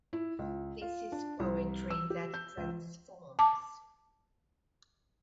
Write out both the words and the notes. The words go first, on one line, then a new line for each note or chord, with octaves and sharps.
This is poetry that transforms.
E4
C#2
F4
D4
C2
E6
G4
G6
C#2
A5 D6